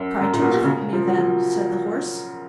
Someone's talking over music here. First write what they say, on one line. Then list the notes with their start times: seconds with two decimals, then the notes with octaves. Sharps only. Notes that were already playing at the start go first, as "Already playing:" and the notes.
'Try to lift me, then', said the Horse.
Already playing: F#2
0.20 F#2
0.33 A#2
0.42 B2
0.64 C#3
0.93 F3
1.07 F#3
1.18 F3